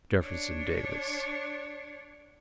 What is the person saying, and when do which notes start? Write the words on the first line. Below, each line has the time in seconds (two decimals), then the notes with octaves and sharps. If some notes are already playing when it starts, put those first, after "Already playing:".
"Jefferson Davis."
0.21 D4 C#5